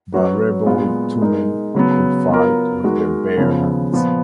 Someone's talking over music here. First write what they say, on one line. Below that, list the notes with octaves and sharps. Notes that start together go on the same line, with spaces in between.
But rebel two men could fight with their bare hands.
F#3 C#4 F#4 B4
A#2 G#3 B3 F4
G#3 D#4 A#4
C#3 F#3 B3
F#3 B3 F4 A#4
G#3 D#4 F#4 A#4
C#3 F3 B3
A#2 F3 B3